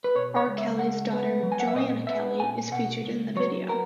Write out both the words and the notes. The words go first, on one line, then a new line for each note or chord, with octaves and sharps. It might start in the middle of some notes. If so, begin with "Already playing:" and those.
R. Kelly's daughter Joann Kelly is featured in the video.
B4
B2 C#5
C#5
C#2
E5
G#3 F#5
B3
F#3
G#5
F#5
E5
A#2 D#5
B3 E5
A#2 G#5
B2 F#5
C#2
F#3 C#5
B3 A#4